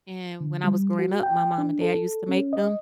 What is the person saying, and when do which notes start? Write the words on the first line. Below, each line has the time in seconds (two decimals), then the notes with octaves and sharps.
and when I was growing up my mom and dad used to make them
0.40 D3
0.64 G3
0.99 F#4
1.23 G5
1.58 D4
1.81 A4
2.29 C#4
2.53 D#5